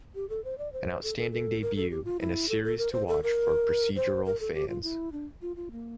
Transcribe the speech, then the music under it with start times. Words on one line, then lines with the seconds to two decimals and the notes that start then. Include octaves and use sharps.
An outstanding debut and a series to watch for procedural fans.
0.15 G4
0.29 A4
0.44 C5
0.58 D5
0.73 C5
1.03 A4
1.18 A4
1.32 A4
1.62 A#4
1.76 A4
1.91 G4
2.05 F4
2.20 E4
2.49 A4
2.64 A4
2.78 A#4
2.93 C5
3.08 A4
3.23 A#4
3.96 C5
4.25 A#4
4.40 A4
4.54 G4
4.69 F4
4.83 E4
5.12 D4
5.42 F4
5.56 F4
5.71 A#3